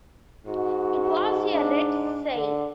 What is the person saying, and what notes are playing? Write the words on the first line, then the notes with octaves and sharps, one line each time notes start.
It was a red sail.
G#2 F#4
D4
D3